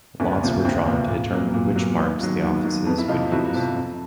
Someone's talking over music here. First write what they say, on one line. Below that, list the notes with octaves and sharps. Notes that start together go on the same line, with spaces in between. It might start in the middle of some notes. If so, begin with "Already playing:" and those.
Lots were drawn to determine which marks the offices would use.
D2 B3 C#4
C3 F3 A#3
D2 C4
C3 F3 A#3 B3
A#2
F#3 A#3
A#2
F#3 A#3
D#2 B3
D#3 F#3
D#2
D#3 F#3
F2 B3
E4
C3 F3 D#4 F4
F2 E4 F#4
C3 F3
F2